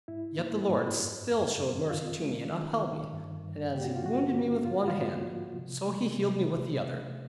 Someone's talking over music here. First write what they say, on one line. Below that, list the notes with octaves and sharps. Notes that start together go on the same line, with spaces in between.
Yet the Lord still showed mercy to me, and upheld me; and as He wounded me with one hand, so he healed me with the other.
G#2 E4
A#3
G#2
F#2
F#2
F#2
D#3 F4
G#3
D#3
D#3
G2
G2
A#3 G4
F#4
F4
D3 F#4
A#3
G#2 F4
F#4
F4
G#2
F3
C3
A3
C3